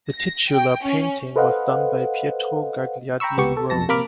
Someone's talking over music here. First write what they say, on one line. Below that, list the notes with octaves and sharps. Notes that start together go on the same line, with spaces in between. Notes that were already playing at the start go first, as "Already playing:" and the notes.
The titular painting was done by Pietro Gagliardi in Rome.
A#6
G5
C#4
A4 B4 C5 D#5 F5 F#5
G5 A#5 B5 C#6 E6
C#2 B3 G4 C#6
A4
B1 F2 A5 A#6
C3 A#3 A#4 B5 D6 F6